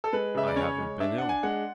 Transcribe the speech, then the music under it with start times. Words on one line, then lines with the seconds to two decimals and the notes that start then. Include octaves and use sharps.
"I haven't been ill."
0.04 A4
0.13 G#3 B4
0.35 C#3 E5
0.47 D5
0.56 C#4 C#5
0.78 G#3
1.00 D4 E5
1.18 D4 F#5
1.29 G#5
1.43 G#3 F#5